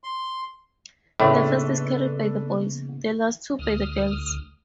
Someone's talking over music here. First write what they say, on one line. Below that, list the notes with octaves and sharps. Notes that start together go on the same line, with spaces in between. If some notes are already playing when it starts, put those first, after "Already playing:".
The first is carried by the boys, the last two by the girls.
C6
A2 C#3 A#3 B3 D4 A4 B4
D2 D#6 F6